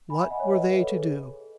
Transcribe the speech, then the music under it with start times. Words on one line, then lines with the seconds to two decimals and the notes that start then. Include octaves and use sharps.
What were they to do?
0.10 G#5 B5
0.20 E5 G#5
0.30 D#5 F#5
0.40 C#5 E5
0.50 B4 D#5
0.60 C#5
0.69 B4
0.80 A4
0.90 G#4